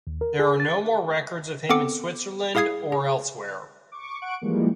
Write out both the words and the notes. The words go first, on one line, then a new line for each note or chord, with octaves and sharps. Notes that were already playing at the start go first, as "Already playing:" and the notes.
There are no more records of him in Switzerland or elsewhere.
D#2
A#4
G#4
A6
B3 C4 A4 D6 C#7
E4 G#4 F5 D#6 G#6 C7
G#4
C#6 D6
F#5 C#6 F#6 D7
E3 F3 G3 G#3 A#3